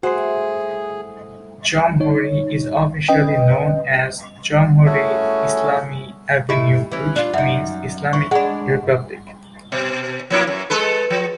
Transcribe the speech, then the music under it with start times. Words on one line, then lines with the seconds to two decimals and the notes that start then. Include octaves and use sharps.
Jomhuri is officially known as Jomhuri Islami Avenue which means Islamic republic.
0.03 A3 C4 E4 F#4 G#4 C5 F#5 C6
2.00 D#4 C#5
3.08 C#4 B4 D#5 G5
4.85 A3 C#4 E4 F#4 G#4
6.49 A2 E4 G4 D#5
6.92 E3 C#4
7.16 D4 F4
7.33 F#2 D#4 E5 F#5
8.13 E3 C#6
8.31 G#3 D4 F#5 B5
9.72 B2
10.30 F3 A#3 E4
10.47 F#2
10.70 G#3 A4 B4
11.10 F3